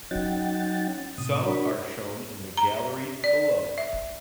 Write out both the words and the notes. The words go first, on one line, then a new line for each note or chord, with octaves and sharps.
Some are shown in the gallery below.
F#3 C#4 D#4 F#5 G5 A6
A2 C3 D#6
D4 F#4 A#4 C#5 B5
A#5
D5
E5